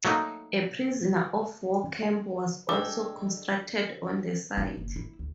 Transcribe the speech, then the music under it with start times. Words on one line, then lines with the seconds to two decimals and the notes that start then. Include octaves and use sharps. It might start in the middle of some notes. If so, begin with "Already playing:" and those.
A prisoner of war camp was also constructed on the site.
0.05 F#3 A3 A#3 D#4
2.69 G#3 D4 G4 A4 A5 D6
4.57 D#4
4.77 F#1
4.96 E4
5.19 D2